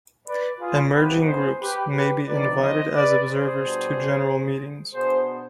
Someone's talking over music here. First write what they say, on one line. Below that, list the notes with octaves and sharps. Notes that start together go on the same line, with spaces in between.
Emerging Groups may be invited as observers to General Meetings.
B4 D5
F4 G#4
C3 F3 B3 D#4 G4 B4
G#4 C5
G4 B4
G4 B4
D3 F3 C4 D#4 B4 D5
C5 D#5
B4 D5
G#4 C5
B2 G3 D4
B2 B3 D4 G#4 C5